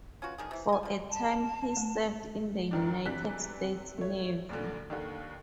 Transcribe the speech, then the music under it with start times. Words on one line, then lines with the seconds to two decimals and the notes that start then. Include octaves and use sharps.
For a time, he served in the United States Navy.
0.22 C#4 F4 F#4 B4
0.38 D3 D#3 G#4
0.51 C3 E3
0.69 D#5 G#5
0.83 D3 F3
1.10 A5
1.77 A3
2.71 F#2 D#3 D4
3.05 C3 E3 D4 F#6 B6
3.61 C3
3.98 A3 C#5
4.49 D2 A#2 D3
4.90 D#2 D3 D#3